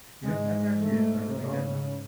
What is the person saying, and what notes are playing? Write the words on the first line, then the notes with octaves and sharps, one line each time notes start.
You know, that's actually, uh, a really good one.
G#2 G#3
A3
C#3